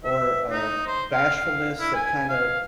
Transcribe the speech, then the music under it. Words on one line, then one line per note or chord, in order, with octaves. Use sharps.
or, um, bashfulness that kinda
E5
D#4
C5
F5
F5
E4
G#5
F5